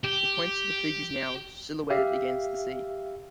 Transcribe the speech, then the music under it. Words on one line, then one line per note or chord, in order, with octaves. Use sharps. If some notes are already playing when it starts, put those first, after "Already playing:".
He points to the figures now silhouetted against the sea.
G4
G4 E5 F5